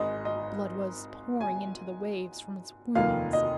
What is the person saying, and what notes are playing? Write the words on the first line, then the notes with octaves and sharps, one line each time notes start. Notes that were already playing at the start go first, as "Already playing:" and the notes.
Blood was pouring into the waves from its wounds.
Already playing: G#1 G#2 G#3 D#4 D#5
D#5
G#5
F1 D#2 D#3 A#3 F4 F5
D#5